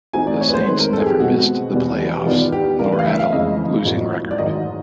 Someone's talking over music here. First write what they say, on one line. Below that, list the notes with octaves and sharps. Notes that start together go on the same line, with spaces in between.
The Saints never missed the playoffs nor had a losing record.
E3 A3 C4 D#4 F#4 G#5
D5
C#5
B4
C5
D#3 G#3 C4 B4
A#4
A4
G#4
G4
B2 G#3 C4 F#4
E2 B2 G3 B3
D#3 G3 B3 D4 F4
G4
C#3 E3 A3 D4 A#4
B4
F5
E5
F5
F2 C#3 E3 G#3 D#5
A2 F3 A#3 D4 F#4
D5
G#2 D#3 F#3 D#5